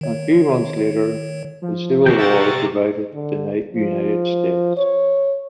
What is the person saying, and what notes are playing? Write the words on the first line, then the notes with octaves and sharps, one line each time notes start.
A few months later, the Civil War divided the United States.
D#3 C#5
F3
D#2 C3 F#4 A#4 G5
G4 E5 A6
D3
F3
C#5